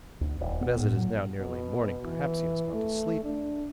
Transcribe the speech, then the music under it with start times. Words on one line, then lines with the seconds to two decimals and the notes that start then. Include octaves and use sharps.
But as it is now nearly morning, perhaps he has gone to sleep...
0.21 D2
0.41 D#1
0.61 B3
0.79 A2
0.97 F#3
1.39 B2
2.04 E3
2.74 A3
3.24 D4